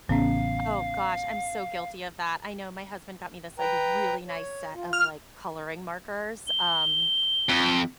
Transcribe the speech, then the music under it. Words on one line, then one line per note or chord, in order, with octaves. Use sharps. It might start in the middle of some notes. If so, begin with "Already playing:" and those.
Oh gosh, I'm so guilty of that, I know. My husband got me this, like, really nice set of, like, coloring markers, um,
A1 C#3 B3 C#4 F5
B4 G5 A#5
C#5
F4
F6
G7
F2